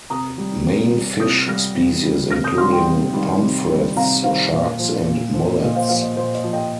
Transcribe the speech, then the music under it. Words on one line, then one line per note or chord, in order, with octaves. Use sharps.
Main fish species including pomfrets, sharks and mullets.
C3 A#5 D#6
G3
C3
G3
C3 D#6 G6
G3 F6 A#6
C3
G3
C3 F6 A#6
D#6 G6
D#3 G3 C6 F6
G5 C6
C3
D#3 G3
C3
D#3 G3
C3 F5 A#5
D#3 G3 C5 F5
A#2
F3
A#2
F3
A#2 D#5
C5 F5
F3 C5 F5
D#5
A#2 C5
D#5
F3
D#5 G5